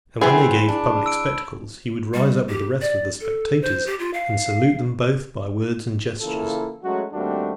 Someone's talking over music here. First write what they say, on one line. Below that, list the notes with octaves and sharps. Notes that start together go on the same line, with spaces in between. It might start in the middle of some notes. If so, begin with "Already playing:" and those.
And when they gave public spectacles, he would rise up with the rest of the spectators, and salute them both by words and gestures.
F#2 E3 B3 C4 G#4 B5
D4
E6 D7
G3
G4
D5
A4
C5
G4
F4
F5
C#3 E3 A#3 E4 F4 A4
F#3 G#3 A3 C#4 F#4
D#2 G3 A3 C4 D4 F#4